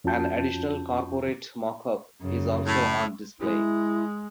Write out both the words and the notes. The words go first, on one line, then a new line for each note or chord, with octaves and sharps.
An additional corporate mock-up is also on display.
F2 C#4 F4 F#4 A5 G6
F#2 C#3
A2
G#3 E4